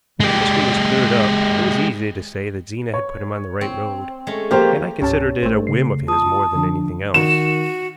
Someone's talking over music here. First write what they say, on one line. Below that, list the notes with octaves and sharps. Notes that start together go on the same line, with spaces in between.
When a mystery was cleared up, it was easy to say that Zena had put him on the right road, and I considered it a whim of his more than anything else.
G#3 G4
C#5
C4
G#3 A3 C#4
F3 A#3 F4 G4 C5
C#2 G#2 C#4 G4 A5
G#1 A3 C5
C#3 C7
F4 A5 D#6
D3 F3 D4
D#3 F#4 E7